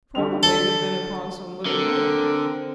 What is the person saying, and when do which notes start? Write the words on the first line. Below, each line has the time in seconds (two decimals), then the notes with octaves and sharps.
Probably had been upon some little game.
0.15 D3 G3 F7
0.43 A4
1.66 D3 C4 A4 A#4